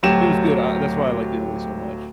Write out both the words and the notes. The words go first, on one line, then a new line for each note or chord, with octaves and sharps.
it was good. I that's why I liked Italy so much,
D1 F#3 G4 E7